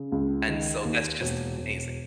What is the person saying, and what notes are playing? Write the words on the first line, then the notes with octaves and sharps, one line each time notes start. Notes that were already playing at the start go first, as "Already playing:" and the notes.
and so, that's just amazing.
Already playing: C#3
C#2
D#3
D#2
E1
E1